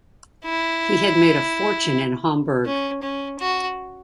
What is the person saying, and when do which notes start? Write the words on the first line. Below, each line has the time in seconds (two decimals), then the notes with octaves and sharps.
He had made a fortune in Hamburg.
0.45 E4
2.66 C#4
3.02 C#4
3.39 F#4